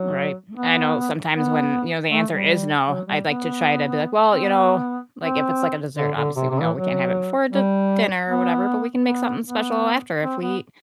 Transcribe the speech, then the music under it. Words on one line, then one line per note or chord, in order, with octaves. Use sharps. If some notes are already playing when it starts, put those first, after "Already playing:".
Right, I know sometimes when, you know, the answer is "no", I'd like to try to be like, "Well, you know" like, if it's like a dessert, obviously, "We no we can't have it before the dinner or whatever, but we can make something special after if we"
Already playing: F#3
B3
B3
A3
G3
F#3
G3
B3
C4
B3
C4
D3
D3
C3
C3
E3
F#3
G3
B3
B3
B3
C4
B3